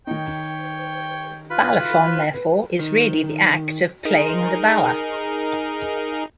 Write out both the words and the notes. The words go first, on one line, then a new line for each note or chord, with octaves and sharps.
Balafon therefore is really the act of "playing the bala".
D#3 D#4 C#5 G5
E3 F4 B4 B5
B4
D#3
D#4 G#4 A#4